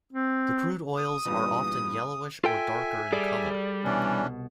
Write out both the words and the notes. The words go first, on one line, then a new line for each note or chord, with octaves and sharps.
The crude oils are often yellowish or darker in colour.
C4
D#6
E2 G2 A#2
F4 A4 E5 G5 G#5
G3 G#4 A4 D5
C2 B2 E3 C#4 D4